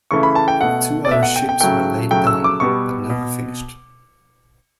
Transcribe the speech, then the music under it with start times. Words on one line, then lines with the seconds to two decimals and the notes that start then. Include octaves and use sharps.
Two other ships were laid down, but never finished.
0.11 C#3 E3 A3 C#6
0.23 B5
0.35 A5
0.48 G5
0.61 B2 A3 F#5
1.05 D5
1.11 B2 A3 E5
1.23 F#5
1.36 G5
1.49 G5
1.61 C#3 F#3 A3 G5
2.11 C#3 F#3 A3 G5
2.27 E6
2.44 D6
2.60 B2 G3 B3 C#6
3.10 B2